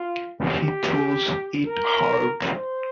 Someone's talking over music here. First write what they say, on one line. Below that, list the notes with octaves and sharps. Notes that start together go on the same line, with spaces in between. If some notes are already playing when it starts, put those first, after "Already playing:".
He throws it hard.
Already playing: F4
G4
A#4
C5